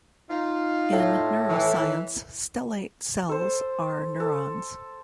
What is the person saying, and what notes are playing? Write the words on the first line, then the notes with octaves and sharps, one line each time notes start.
In neuroscience, stellate cells are neurons.
D#4 F4
A2
E3
A4 C5
A4